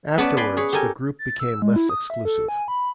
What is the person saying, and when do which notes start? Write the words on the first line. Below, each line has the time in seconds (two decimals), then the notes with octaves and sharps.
Afterwards, The Group became less exclusive.
0.18 B3 C#4 B4 C#5 D5 A5
0.37 B4 D5 G#5 C6
0.57 G#4 B4 C#5
0.73 G4 A4 A#4 G#5
1.19 A6
1.40 E6
1.62 G#3
1.76 E4
1.90 D#6
2.10 E5
2.25 A4
2.48 G#5
2.68 B5